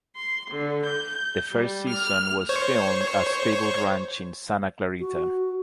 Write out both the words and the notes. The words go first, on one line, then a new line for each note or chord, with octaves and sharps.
The first season was filmed at Sable Ranch in Santa Clarita.
C6
D3
G6
G3
F6
C5 C#5 C#6
F#4